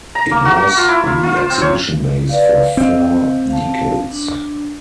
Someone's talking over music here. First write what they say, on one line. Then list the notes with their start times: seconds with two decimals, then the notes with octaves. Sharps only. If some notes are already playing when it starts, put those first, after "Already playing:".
It was the exhibition base for four decades.
0.15 A#5
0.31 A#3
0.45 F#4
0.57 F#4
0.77 F4
0.89 E4
1.07 F4
1.24 F4
1.36 C5
1.50 C4
1.62 C#5
2.29 B4 D5 F5
2.77 C4 D#5 F5
3.50 F5 A5
4.12 D4